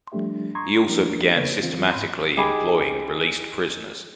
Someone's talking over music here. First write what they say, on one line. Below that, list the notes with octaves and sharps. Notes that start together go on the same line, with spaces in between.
He also began systematically employing released prisoners.
F3 G3 A3 D4 G4 E5
A#5 C6 C#6 D#6 G#6
F3 G#3 A#3 D4 G4 A#4
C#3 A#3 A4 B4 C#5
E3 C4 F4
G#2 B5 C6
D#4 G4 G#4 B5